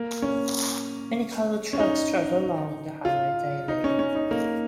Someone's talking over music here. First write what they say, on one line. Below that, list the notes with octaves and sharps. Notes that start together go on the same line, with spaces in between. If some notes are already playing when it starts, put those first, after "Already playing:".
Many cargo trucks travel along the highway daily.
Already playing: A#3
C#4
C#4
D#4
F4
D#4
C#4
C#4
D#4
A#3